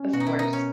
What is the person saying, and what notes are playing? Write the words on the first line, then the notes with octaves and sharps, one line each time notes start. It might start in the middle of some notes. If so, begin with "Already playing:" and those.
Of course.
Already playing: C#4
B2 F#4
D#4
E4
D#4 A#4
C#4